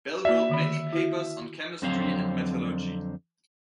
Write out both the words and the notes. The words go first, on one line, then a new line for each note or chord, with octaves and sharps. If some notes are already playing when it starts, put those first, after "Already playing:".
Bell wrote many papers on chemistry and metallurgy.
A#3 F#4 D5 E5
D3 D#3 B5
E4 F#4
F2 D3 F#3 C4 C5 F5